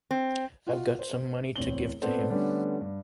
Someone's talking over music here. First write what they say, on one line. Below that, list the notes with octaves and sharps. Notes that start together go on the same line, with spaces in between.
I've got some money to give to him.
C4
F4 F#4
C5
D1 E2 C4 C#5 F#7 G7
A#2 B3 C4 A4 C5 D5
D3 G3 A3 B3 C#4 D4
G2